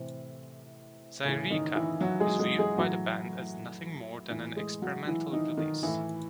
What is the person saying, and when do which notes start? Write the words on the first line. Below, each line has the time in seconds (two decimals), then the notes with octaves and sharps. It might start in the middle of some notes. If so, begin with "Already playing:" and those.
"Zaireeka" is viewed by the band as nothing more than an experimental release.
Already playing: A2 C3 E3 C4
1.25 A2 C#3 E3 C#4
1.50 D#3 D#4
1.75 E3 E4
2.01 F#3 F#4
2.20 G#3 G#4
2.39 G#3 G#4
2.58 G#3 G#4
2.77 A2 E3 F#3 F#4
4.30 A2 E3 E4
4.56 G#3 G#4
4.82 F#3 F#4
5.07 E3 E4
5.32 D#3 D#4
5.57 D#3 D#4
5.83 A2 E3 E4